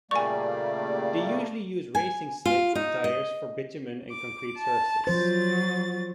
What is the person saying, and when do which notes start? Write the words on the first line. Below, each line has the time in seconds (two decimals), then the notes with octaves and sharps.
They usually use racing slick tyres for bitumen and concrete surfaces.
0.11 A#2 C#3 G3 A3 A#3 D5 G#5 C#6
1.95 G#5
2.45 F4
2.75 D#4
3.04 D#5
4.11 D6
4.57 A5
5.07 F3 F#3 C5 A6